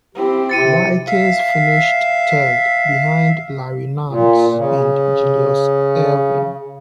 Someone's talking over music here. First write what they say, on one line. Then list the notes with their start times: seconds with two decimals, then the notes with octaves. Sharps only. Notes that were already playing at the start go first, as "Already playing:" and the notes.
Wilkins finished third, behind Larry Nance and Julius Erving.
0.15 C4 E4 G4
0.49 C3 A6 C#7 D#7
1.07 E5 F5
4.09 A#2
4.57 C#3